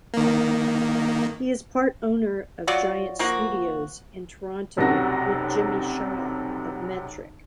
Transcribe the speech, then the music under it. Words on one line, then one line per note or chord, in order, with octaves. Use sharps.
He is part owner of Giant Studios in Toronto with Jimmy Shaw of Metric.
D#3 A#3
F#3 F4 F#4 D5
F3 A#3 F#4
F1 B1 F#2 C3 F#4 A#6